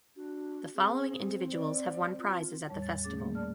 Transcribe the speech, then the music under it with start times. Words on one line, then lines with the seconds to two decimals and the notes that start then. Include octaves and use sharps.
The following individuals have won prizes at the festival.
0.16 D4 F#4
0.74 C4 G#4
1.52 D5
2.19 F4
2.69 E2 A2 G3 C#5 A5
2.82 A6
3.04 A3 C#4 G#4 D6 A6
3.17 A#2 D#3 G3 A#3
3.35 D5 A5 F6